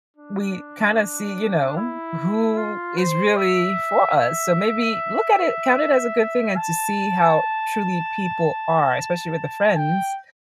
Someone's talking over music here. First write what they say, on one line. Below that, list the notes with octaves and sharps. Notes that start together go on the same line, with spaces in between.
we kinda see, you know, who is really for us, so maybe look at it count it as a good thing and to see how truly people are especially with the friends
D4
E4
F4
C5
E5
E5
A5
G5